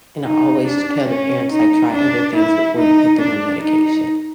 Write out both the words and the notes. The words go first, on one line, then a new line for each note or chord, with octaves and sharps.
and I always tell the parents, like, "Try other things before you put them on medication."
D#4
D4
C#4
D#4
D4
E4
D#4
D4
D#4